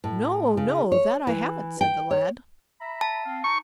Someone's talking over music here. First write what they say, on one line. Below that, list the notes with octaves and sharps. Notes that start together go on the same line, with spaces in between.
'No, no; that I haven't', said the lad.
A2
C#3
C#5
E3
G5
C#5
E5 A#5 B5
A5
C4 F5
D#4 C#6